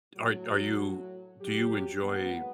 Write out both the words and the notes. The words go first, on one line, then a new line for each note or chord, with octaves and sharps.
Are are you do you enjoy
A2 F#3
F#3 G4
G#2 F#3 A#3 B3